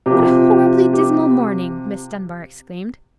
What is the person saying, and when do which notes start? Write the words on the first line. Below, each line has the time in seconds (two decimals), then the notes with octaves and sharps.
"What a horribly dismal morning!" Miss Dunbar exclaimed.
0.06 C3 F3 G4
0.93 G4